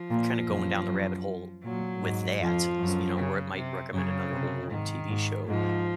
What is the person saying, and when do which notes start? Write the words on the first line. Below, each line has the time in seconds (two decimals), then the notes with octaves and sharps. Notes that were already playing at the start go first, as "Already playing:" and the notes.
kinda going down the rabbit hole w with that, is you know, where it might recommend another old TV show,
Already playing: F3
0.10 A#2
0.48 F#2
0.87 F#2
1.63 A#2 F#3
2.02 G#2
2.40 F2 F3
2.79 F#2
3.17 C#3
3.56 C3
3.93 F#2 C#3
4.32 C3
4.71 G#2 D#3
5.09 G#2
5.47 G#2 F3